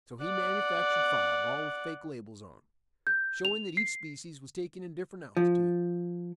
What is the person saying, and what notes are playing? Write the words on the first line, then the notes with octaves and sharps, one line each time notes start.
So he manufactured five, all with faked labels on, showing that each species was taken at different altitudes.
D5 F#5
G6
F7
C7
F3